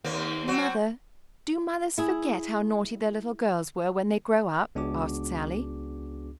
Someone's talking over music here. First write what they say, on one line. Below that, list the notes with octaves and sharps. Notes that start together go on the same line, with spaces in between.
"Mother, do mothers forget how naughty their little girls were when they grow up?" asked Sallie.
D#2 A#3 C4
F#3 C4 F#4
E4 G#4
C#2 B3 D4 F#4 G#4 D6